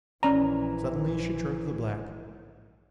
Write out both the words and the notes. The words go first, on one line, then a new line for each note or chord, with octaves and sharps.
Suddenly she turned to the black.
A#1 E3 C#4 D5 A#5